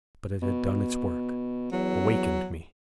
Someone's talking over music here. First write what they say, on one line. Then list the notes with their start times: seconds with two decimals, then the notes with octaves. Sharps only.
But it had done its work--awakened me.
0.42 B2
1.72 E2 F#3